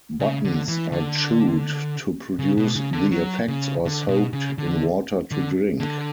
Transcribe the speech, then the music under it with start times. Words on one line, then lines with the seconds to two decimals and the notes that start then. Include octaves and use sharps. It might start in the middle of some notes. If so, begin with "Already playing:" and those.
Buttons are chewed to produce the effects or soaked in water to drink.
0.20 C#3
0.44 D3
0.68 E3
0.92 D3
2.39 C#3
2.57 B2
2.76 C#3
2.93 D3
3.11 F#3
3.48 C#3
3.85 D3
4.08 B2
4.33 C#3
4.58 D3
5.31 D3
5.80 D3